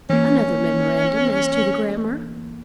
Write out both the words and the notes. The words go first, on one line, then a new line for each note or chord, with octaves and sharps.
Another memorandum as to the grammar.
E3 A#3 C#4